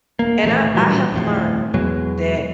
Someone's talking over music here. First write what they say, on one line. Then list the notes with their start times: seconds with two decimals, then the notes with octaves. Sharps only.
And I I have learned that
0.19 D1 A#3
0.44 D#1 A1 C3 A3
0.74 A#2 E3 F#3 G3
1.12 D#1 F2 A2
1.74 E2 B2 F#3 G#3